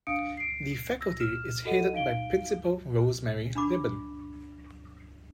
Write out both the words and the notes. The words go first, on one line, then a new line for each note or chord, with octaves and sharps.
The faculty is headed by Principal Rosemary Libbon.
D4 F5 D#6 C#7 D7
C7 D7
E6 A#6
F6 E7
F#4 A4 D#5 F#5 D#7
D#4 F5 D7 G7
D4 B5 D6